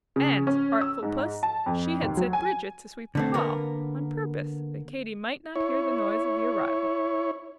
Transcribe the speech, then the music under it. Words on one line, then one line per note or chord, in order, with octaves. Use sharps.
And, artful puss! she had set Bridget to sweep the hall, on purpose that Katy might not hear the noise of the arrival.
C#3
C#4
E6
G#2
A5
F2
D#2
F#3
G#5
D3 A3 C4
D3 A#3 B3 A#4
E4 C#5